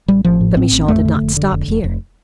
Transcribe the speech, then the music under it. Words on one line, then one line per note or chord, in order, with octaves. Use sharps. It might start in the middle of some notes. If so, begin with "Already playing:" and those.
But Michal did not stop here.
A1 G3
A1 F3
A2
A2 C4
A1
F2 A3
D3
F1
D3
F1
F1
F1